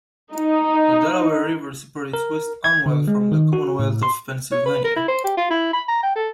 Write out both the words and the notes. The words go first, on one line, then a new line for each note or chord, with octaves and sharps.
The Delaware River separates West Amwell from the Commonwealth of Pennsylvania.
D#4
A#4
G#6
D3
G#3
D#3
F#4
A2
C6
C#5
B4
A#4
E4
C5
G4
F4
E4
B5
A#5
G5
A4